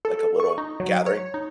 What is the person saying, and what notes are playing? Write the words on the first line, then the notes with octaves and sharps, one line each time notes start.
Like a little, gathering,
A4
C#6
D#4
F#3
C#5
D#4